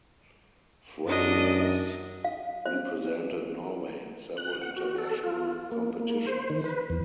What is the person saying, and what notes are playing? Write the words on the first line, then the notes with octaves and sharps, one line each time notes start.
Frey has represented Norway in several international competitions.
F#2 D4 D#5
F5
C5
F#6
F#5
F#4
A4
F4
A#3
A#3
C5
D#3
B4
E2